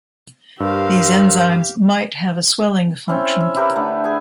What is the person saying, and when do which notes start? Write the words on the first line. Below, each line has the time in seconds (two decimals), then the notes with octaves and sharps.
These enzymes might have a swelling function.
0.60 G2 G4 A#4 C5 F5 E6
3.08 C4 C#4 E4
3.41 E5
3.55 E4 G4 A#4 B4
3.76 D3 A3
4.04 G#4 G#5